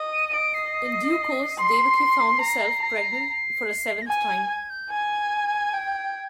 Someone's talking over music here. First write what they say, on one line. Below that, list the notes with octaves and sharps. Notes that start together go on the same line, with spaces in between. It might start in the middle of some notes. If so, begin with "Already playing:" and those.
In due course, Devaki found herself pregnant for a seventh time.
Already playing: D#5
D#7
D#7
D#5 D7
C7
C6 C7
A#5
A#5
A#6
G#5 G#6
G#6
G#6
G6
G#5 G#6
G5